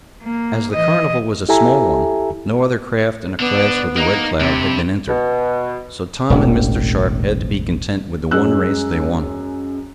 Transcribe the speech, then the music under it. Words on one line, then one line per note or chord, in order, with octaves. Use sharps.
As the carnival was a small one, no other craft in a class with the Red Cloud had been entered, so Tom and Mr. Sharp had to be content with the one race they won.
A#3
E3 D#5
E4 G4 A4 E5 G#5 A#5
D3 B3 D4
A#3 D#4
G2 C3
B2
E1 A1
F#2 G#3 E6 F#6